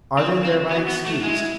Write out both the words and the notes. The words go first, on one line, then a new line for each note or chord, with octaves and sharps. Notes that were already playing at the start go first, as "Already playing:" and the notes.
Are they thereby excused?
C4 F4
C4
B3 F#4
B3
A3
G#3 E4